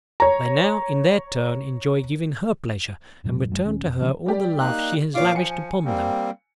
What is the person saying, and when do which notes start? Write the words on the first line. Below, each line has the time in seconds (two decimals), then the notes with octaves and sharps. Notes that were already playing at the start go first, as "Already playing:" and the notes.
They now, in their turn, enjoy giving her pleasure, and return to her all the love she has lavished upon them.
0.20 C#5 A#5
3.24 F1 A#2 F#3 G#3
3.50 F#2 F#3 G#3
3.64 D#1 D#3 C#4
3.85 F1
4.01 C#3 E3 F3 G#3
4.26 G3 G4 D5
4.59 A#3 D#4 F#6
5.15 A#2 F4 C#5 F5 D6
5.35 F3 G#5 C#7
5.85 G3 A#3 C4